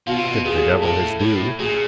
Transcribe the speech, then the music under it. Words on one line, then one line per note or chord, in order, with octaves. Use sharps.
Give the devil his due.
B2 F4
C3
B2
A#2 G#4
G#4
A4
A2
A2
A#2 G#4